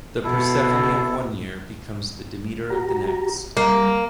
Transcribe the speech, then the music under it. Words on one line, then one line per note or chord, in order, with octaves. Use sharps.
The Persephone of one year becomes the Demeter of the next.
B2 E4 A4
F#4 G4 A#5
G3 A#3